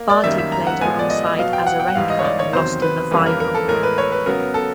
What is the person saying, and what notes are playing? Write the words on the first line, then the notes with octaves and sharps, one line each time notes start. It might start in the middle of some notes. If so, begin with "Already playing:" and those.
Barty played alongside Azarenka and lost in the final.
Already playing: A#3
D5
F#2 D#3 G3 A#3 E5
E5
A#5
F#5
A2 F3 G#3 B3 G#5
D5
D#5
D#5
B2 F#3 B3 F5
G5
F#5
G5
F#5
G#2 E3 G3 F5
D#5
C#5
D5
C#5
E2 C3 D#3 F#3 C5
B4
F2 C#3 E3 G3 A#3 B4
A#4
A#4
A4
A2 E3 G#3 A#4
B4
C#5
B4
C#3 F#3 B3 A#4
A4